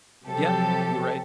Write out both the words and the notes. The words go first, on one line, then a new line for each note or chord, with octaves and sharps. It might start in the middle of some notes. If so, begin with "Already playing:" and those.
Yeah. You're right.
C3 F3 F#3 G4 A4